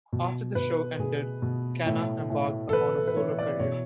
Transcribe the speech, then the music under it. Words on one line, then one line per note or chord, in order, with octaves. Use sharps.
After the show ended, Kana embarked upon a solo career.
B2
B2 B4
B2 G#4
B2
A2
A2
A4
E3 B4
A4
B4
E3 C#5
D5
B2 C#5